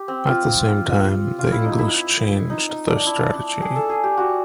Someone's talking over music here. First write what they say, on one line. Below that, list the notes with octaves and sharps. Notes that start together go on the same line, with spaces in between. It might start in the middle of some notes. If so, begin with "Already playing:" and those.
At the same time, the English changed their strategy.
Already playing: G4
C4
F4
F4
E4
D#4
E4
D#4
D#4
D4
E4
D4
G#4
A4
G#4
G4
F#4